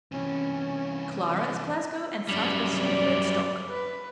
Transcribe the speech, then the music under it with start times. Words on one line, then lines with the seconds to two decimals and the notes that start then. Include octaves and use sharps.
Clara is Glasgow and South-Western Deferred Stock.
0.12 C3 E3 C#4
2.29 F#2 G3
2.79 D5
3.70 B4